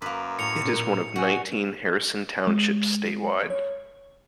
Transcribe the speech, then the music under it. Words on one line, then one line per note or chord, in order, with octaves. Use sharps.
It is one of nineteen Harrison Townships statewide.
F#2 A#3 B4
A2 C#7 F7
A#2 A#4
F#4 D5 G#5
G#3
C#5